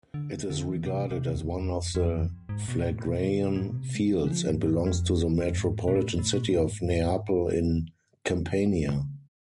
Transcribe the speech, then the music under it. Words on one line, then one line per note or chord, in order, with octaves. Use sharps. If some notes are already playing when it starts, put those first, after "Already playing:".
It is regarded as one of the Phlegraean Fields and belongs to the metropolitan city of Neapel in Campania.
D3
D3
E3
C3
C3
E2
F2
F2
G#2
B2
A2
B2
D3
C3
G#2
A2
B2
C3
G#3
F3
E3
F3
G#2
F2
F2
G#2
A2
B2
A2
A2
B2
A2
F2
G#2